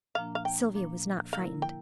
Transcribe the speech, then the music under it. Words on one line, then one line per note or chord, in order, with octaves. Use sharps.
Sylvia was not frightened.
A#2 F3 A#3 D4 F5
F5
G5
A#2 F3 A#3 D4
D3 F3 A#3 E4 A#4 F5
G5